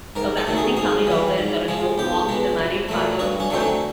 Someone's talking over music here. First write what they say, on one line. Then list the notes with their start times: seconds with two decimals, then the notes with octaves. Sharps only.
A practicing family doctor in Toronto, Wong is a married father of two sons.
0.16 G#2 A#4
0.37 A4
0.47 D#3 F#3 A3
0.57 G#4
0.77 G#2 G#4
1.07 E3 G3
1.38 G#2
1.68 F3 G#3
1.98 B1 G4
2.28 B2 G#3
2.59 A#1
2.89 A#2 F#3 A3
3.19 G2 F#4
3.40 C#4
3.50 D3 F#3 A3 C4
3.60 C#4